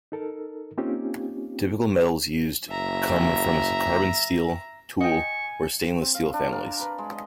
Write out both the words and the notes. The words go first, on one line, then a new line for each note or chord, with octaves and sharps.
Typical metals used come from the carbon steel, tool, or stainless steel families.
D#4 A4 A#4
A#3 C4 C#4 D#4 F4 G4
F#1 E5 A#5
D#5 G5 G#5 C#6
C4
F5
D4
A#4
A#5
B4
G#3
D#5